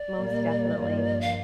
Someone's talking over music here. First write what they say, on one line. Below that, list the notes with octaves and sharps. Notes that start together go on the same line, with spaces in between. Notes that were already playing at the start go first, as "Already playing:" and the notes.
Most definitely.
Already playing: D5
A#2 G3 A#3
G2 F3 A#3
F5